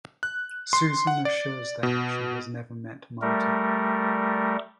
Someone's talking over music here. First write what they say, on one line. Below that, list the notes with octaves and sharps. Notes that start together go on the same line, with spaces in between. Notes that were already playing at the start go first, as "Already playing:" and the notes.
Susan assures them she has never met Martin.
F#6
C6
F#5
D5
B2
G3 A3 A#4